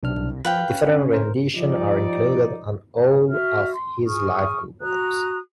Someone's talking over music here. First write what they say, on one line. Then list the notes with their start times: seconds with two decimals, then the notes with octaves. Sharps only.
Different renditions are included on all of his live albums.
0.03 B1 C3 D4 F6
0.17 C2
0.45 F3 B4 F5 G5 B5 F#6
0.69 C#4
1.13 A#4 C5
1.55 F3 G3 D#4 D5
3.29 F#4 E5 F6
3.73 C6
4.06 G#4 C#6 D#6 F6
4.81 F#4 A#5 D#6 F#6